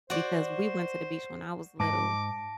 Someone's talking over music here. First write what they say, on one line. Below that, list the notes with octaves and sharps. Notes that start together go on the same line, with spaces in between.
because we went to the beach when I was little,
F#4 C5 D5
G#2 A5 D6 A#6